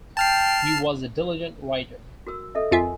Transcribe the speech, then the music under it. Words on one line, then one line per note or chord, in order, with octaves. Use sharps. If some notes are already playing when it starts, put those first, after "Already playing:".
He was a diligent writer.
G5 A5 F6 C7
F#4 A#4 E6
A4 D#5 E5
F2 F4 A#4 E5 G#5